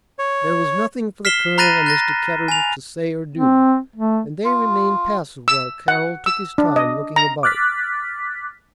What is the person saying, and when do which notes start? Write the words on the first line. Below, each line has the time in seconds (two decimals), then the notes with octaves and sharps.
There was nothing for the colonel or Mr. Kettridge to say or do, and they remained passive while Carroll took his time looking about.
0.19 C#5
1.25 F6 B6 C7 E7 G7
1.58 A#5 B5 F#6 A6 A#6 D#7
1.86 F#6 A6 A#6
2.48 G#5 F7
3.35 C4
3.96 A3
4.45 F4
5.48 E6
5.88 F#5
6.26 E6
6.58 D4
6.76 D#5
7.16 A#5
7.43 D6 F6 F#6 A6 B6